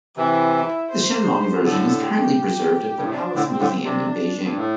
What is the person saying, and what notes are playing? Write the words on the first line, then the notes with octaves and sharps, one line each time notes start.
The "Shenlong" version is currently preserved at the Palace Museum in Beijing.
C3 E3 E4
E4
C5
A2 D3 A4
G4
G2
A2
C3 D4
A2 D3
C4
A2 D3
C3 D4
G2
A2